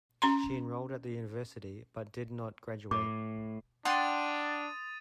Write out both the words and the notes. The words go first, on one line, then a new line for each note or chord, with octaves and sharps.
She enrolled at the university but did not graduate.
C#4 A#5 C6
A2 D6
D4 F#5 G5 C6 D6 D#6 A6 D#7